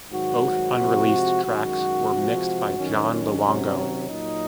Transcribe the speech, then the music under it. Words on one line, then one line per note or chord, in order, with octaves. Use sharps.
Both unreleased tracks were mixed by John Luongo.
G#2 D#3 F#3 F#4
C3 F3 G#3
F#2 D#3 G#3 F#4
C3 F3 G#3
F2 D#3 F#3 C#4
C3 D#3 F#3
A#2 F#3 D#4